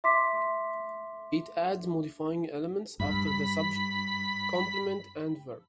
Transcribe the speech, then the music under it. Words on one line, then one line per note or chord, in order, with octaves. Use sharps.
It adds modifying elements after the subject, complement, and verb.
E5 C6 D6 B6
G2 B5